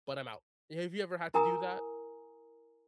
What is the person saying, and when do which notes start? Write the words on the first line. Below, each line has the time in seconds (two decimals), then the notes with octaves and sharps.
but I'm out." Have you ever had to do that?
1.34 E4 A#4 G#5 A#5 D#6